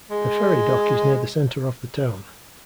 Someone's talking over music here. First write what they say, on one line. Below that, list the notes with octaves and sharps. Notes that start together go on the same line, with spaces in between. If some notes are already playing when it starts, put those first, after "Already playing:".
The Ferry dock is near the centre of the town.
G#3